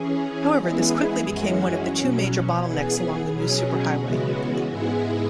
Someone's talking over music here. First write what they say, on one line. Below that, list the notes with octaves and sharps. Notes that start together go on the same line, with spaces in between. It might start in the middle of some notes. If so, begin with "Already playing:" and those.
However, this quickly became one of the two major bottlenecks along the new superhighway.
Already playing: E3 C#4 G#4
E3 G#3 B3 E4 G#4
F#2 E3 G#3 C#4 F#4
B2 F#3 C#4
E3 B3 G#4
B2 F#3 C#4 G#4
C#3 E3 G#3 B3 F#4
G#2 G#3 B3 E4 G#4